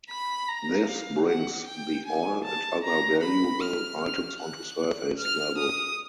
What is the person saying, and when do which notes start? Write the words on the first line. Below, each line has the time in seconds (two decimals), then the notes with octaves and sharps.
This brings the oil and other valuable items onto surface level.
0.10 B5
0.48 A#5
0.88 F5
1.27 F#5
1.65 G5
2.05 G#5
2.44 A5
2.84 A#5
3.23 B5
3.61 F6
4.00 F6
4.40 F#6
5.18 F6
5.57 D#6